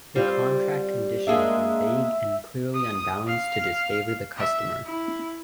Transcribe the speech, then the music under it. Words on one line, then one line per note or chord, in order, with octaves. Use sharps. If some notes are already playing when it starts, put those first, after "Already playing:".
The contract conditions were vague and "clearly unbalanced to disfavor the customer".
G3 C4 F4
G#3 A#3 D4 E5
D#6
F5
E5
E4